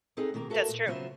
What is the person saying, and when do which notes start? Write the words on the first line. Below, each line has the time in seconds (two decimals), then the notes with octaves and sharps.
That's true.
0.17 B3 C4 D4 D#4 G#4 A4
0.34 B2 D#3 A#3 A#5
0.50 F#4 A4 A#4 E5
0.68 A#2
0.86 C#3 F#3 B3 F4 C5 E5